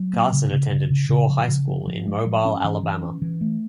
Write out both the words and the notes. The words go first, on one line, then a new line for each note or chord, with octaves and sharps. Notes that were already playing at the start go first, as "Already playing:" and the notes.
Carson attended Shaw High School in Mobile, Alabama.
Already playing: F#3
A#3
C#3
C#3
C#3
C#3
C#3
F3
C#3
F3
F3
G#3
F3
C#4
E3
E3
C#4
E3
A3